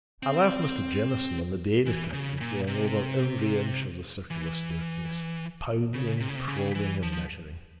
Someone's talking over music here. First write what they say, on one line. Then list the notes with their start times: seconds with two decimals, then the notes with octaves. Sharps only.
I left Mr. Jamieson and the day detective going over every inch of the circular staircase, pounding, probing and measuring.
0.23 C4
1.86 E3
2.13 C#3
2.41 A#2
2.67 C3
4.30 E3
5.94 C#3
6.20 C3
6.28 C#3
6.36 C3
6.48 C#3
6.75 E3
7.02 F3